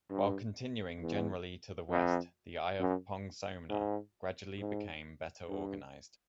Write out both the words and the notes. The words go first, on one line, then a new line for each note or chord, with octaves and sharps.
While continuing generally to the west, the eye of Pongsona gradually became better organized.
G2
E2
F2
F#2
G#2
G#2
G2